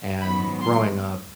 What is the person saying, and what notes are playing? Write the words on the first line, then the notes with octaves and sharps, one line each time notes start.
And growing up,
G#2 D#3 F#3 B3 B5
C6